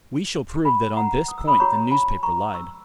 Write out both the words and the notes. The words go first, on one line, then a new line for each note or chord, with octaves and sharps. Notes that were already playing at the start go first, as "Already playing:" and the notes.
We shall prove that on this point the newspaper lied.
G#5 B5
F#5 A#5
D#6
E6
B5 D#6
F#4 C#5 A#5 C#6
G#5 B5
A#5 C#6
C#6 E6